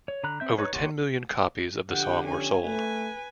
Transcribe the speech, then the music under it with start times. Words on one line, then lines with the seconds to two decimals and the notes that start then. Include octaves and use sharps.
Over ten million copies of the song were sold.
0.08 C#5
0.24 D3 A#5 B5 F#6
0.40 C4 E5 G6
0.58 D#4 B4 C#5
0.73 A#3 G4 C#5 F#5 C6
1.90 D3 F3 G4 F#5 G5
2.26 C#4 G#5
2.65 A3 B4 G#5